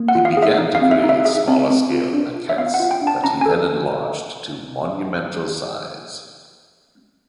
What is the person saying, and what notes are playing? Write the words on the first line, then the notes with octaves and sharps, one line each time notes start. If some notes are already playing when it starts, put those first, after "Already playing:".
He began to create smaller scale maquettes that he then enlarged to monumental size.
Already playing: A#3
F#5
F4
F5
G#4
E5
D#4
F5
C4
E5
D#4
E5
G#4 E5
C4
C4
F4
D4
F4
E5
B3 F5
F#5
F4
G5
D4
A5
C#4 A#5
A4 G#5